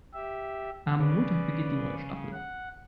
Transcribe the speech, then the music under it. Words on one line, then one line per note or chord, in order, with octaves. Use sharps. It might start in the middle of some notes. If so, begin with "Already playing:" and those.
Am Montag beginnt die neue Staffel.
G4 E5
C#3 B4 D5
F#5